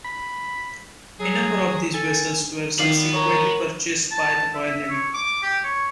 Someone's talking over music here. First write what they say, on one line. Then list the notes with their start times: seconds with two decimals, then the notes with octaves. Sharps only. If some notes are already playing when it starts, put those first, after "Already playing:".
A number of these vessels were subsequently purchased by the Royal Navy.
0.05 B5
1.20 F#3 G#4
1.94 A4 G#5
2.79 D#3 D5 F5 F#5 B5
3.13 A#4 C#5
4.11 A5
4.54 E5
4.90 C#5
5.14 D6
5.42 G4
5.64 C#5